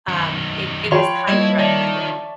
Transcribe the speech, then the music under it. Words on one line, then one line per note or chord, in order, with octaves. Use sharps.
Um, it it is highly recommended.
F#2 D#3
F3 C#5 G5 B5 C6 F7
G3 A#3 E4 D#5 G#6
D#3 D5 E5 A5
C#6